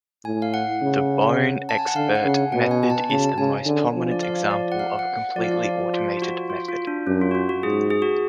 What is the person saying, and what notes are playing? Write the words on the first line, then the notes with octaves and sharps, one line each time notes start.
The BoneXpert method is the most prominent example of a completely automated method.
A2 G#5
F5
F#5
C#3
A5
G#5
F#5
D3 F5
F#5
C#3
G#5
B2 F#5
G#5
G#5
A5
C#3 A5
C#3 G#5
D3
F3
D5
F5
D5
F#5
F5
F#5
F3 D5
F5
D5
D5
F4
F4
F#4
F4
F4
D4
F#2 C#4
F4
F#4
F4
F#4
G#2 G#4
G#4
F#4